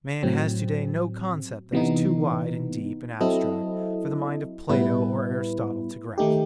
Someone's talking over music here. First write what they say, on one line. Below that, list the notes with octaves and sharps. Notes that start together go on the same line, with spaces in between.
Man has to-day no concept that is too wide and deep and abstract for the mind of Plato or Aristotle to grasp.
A2 F#3 C4
C3 E3 B3 D#4
F#3 C4 E4 A4 D#5
A2 G3 B3 E4 B4
D#3 A3 D#4 G4